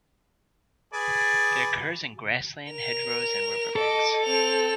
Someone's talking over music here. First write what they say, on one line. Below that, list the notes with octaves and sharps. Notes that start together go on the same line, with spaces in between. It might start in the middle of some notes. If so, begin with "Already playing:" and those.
It occurs in grassland, hedgerows, and river banks.
G#4 B4 D5
A#4 F7
A4 D#5 D6
C4 F7